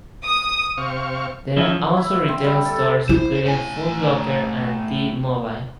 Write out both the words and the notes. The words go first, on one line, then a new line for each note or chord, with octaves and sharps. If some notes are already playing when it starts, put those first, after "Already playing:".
There are also retail stores including Footlocker and T-Mobile.
D#6
C3 F5 C#6
D#3 F3 C#4 E4
E4
C4
G3
A4
A5
E4 C5
A2 G#5